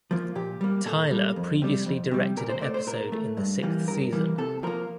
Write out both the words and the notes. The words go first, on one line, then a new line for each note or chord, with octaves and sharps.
Tyler previously directed an episode in the sixth season.
F3 A#3
A#2 G4
G3 A#3
A#2 A4
G3 A#3
F2
C3 G3
F2
C3 G3
A#2 A#4
C5
A3 D5
C5
A#2 A#4
A3
G2
E3 G3 A#3
G2 A#4
E3 G3 A#3
C3 A4
F3 A#3 A#4